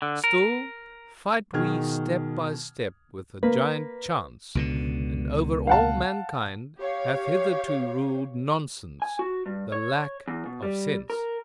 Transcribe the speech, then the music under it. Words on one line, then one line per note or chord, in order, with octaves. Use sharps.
Still fight we step by step with the giant Chance, and over all mankind hath hitherto ruled nonsense, the lack-of-sense.
D3
A#4
B2 D#3 G#4 F6 G#6
A#3 B4
C#2 B2 D3
F5 F#5 A5
G4 C#5 F5
G#5
F#4
G2
C#5
E2
B2
G3
A#4